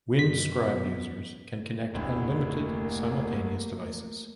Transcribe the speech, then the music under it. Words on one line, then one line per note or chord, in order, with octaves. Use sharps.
Windscribe users can connect unlimited simultaneous devices.
F#2 B2 B6
F1 D2 A2 A3 A#3